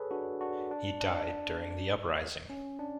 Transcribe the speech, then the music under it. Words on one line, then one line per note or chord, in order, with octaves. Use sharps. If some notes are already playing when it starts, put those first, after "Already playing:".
He died during the uprising.
Already playing: G#4 A4 B4 C#5
D4 F#4
D4 F#4
D4
D4
C#4
D4